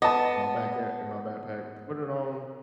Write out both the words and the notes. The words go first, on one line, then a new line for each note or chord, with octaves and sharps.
in my back a in my backpack, put it on,
B3 D#5 A5